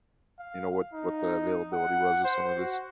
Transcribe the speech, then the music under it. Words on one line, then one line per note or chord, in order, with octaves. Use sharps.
you know, what what the availability was of some of this.
F5
D#4
F#5
C5
F#4